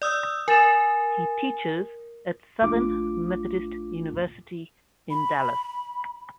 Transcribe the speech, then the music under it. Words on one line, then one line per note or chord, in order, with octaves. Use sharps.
He teaches at Southern Methodist University in Dallas.
D5 D#6 E6
A#4 G#5 A6 E7
A#1 A3 D4 F4 D6
B5